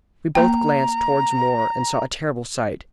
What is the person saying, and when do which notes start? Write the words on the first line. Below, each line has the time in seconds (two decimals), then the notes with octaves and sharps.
We both glanced toward Moore, and saw a terrible sight.
0.35 A#3 G5 A#5